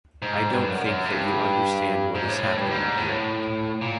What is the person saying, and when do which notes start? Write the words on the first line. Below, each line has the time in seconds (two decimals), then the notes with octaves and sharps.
I don't think that you understand what is happening here.
0.22 G#2
0.50 G2
0.69 F#2
0.86 F#2
1.05 G2
2.15 G#2
2.29 A2
2.43 A2
2.57 G2
2.71 G#2
2.98 A2
3.81 A#2